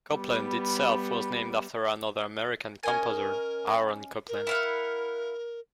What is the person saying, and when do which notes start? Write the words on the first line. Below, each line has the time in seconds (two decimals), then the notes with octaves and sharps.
Copland itself was named after another American composer, Aaron Copland.
0.14 G3 B3
2.83 C#4 A#4 D#5 G#5
4.29 A#4
4.47 E4 F5 F#5